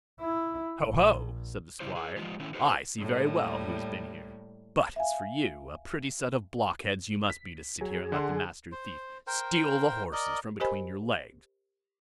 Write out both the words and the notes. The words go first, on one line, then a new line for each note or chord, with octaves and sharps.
'Ho! ho!' said the Squire; 'I see very well who has been here; but as for you, a pretty set of blockheads you must be to sit here and let the Master Thief steal the horses from between your legs.'
E4
A#1
C#3 G3 E4 G4 C5
G#4 B4
F3 G#3 F4 G4
D#3 A3 C#4 E4
D#4 F#4 G#4 A4 B4 C5
A2 G3 A#3
E5 F5 G#5
B6
F#3 G#4
D3 F#5 C6
C5
A#4 C5 G5
A#4 D5 D#5
G4 A#4 C5 D#5 G#5 B5